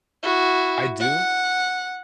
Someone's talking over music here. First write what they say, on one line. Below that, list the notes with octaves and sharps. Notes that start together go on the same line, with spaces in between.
I do.
E4 F#4
F#5